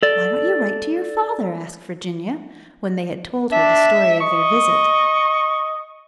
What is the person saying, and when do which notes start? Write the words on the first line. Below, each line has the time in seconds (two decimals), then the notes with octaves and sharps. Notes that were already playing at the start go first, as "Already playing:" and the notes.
"Why don't you write to your father?" asked Virginia, when they had told her the story of their visit.
0.03 A4 D5
3.52 D4 E5
4.20 D#5 C#6